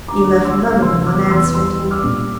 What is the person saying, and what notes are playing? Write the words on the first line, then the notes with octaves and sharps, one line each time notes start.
He left none of them unanswered.
D2 A#5 D6
D2
C6 E6
D2
C3 C6 E6
E2 D6 F6
E2 C6 E6
G3 C6 E6
G3
D6 F6
A#2